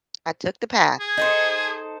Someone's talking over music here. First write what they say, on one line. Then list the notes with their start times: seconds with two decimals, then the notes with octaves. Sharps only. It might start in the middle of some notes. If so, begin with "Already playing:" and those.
I took the path
1.00 G#4
1.17 D#4 A4 C5